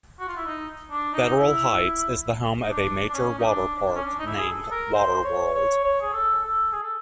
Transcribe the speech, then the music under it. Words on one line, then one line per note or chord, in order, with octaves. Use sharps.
Federal Heights is the home of a major water park named Water World.
F#4
F4
E4
D#4
D4
D#4
E4
D#4
D4
D4
C#4
D#4
D4
D4
C#4
D4
D#4
E4
G#4
A4
A4
A#4
C5
C#5
C#5
C#5
G#4
A4
A4
G#4
A4